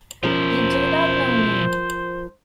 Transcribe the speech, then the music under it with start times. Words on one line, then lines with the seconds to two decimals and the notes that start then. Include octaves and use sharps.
You do not know me?
0.23 B2 F3 C#4 E4 A#4 C5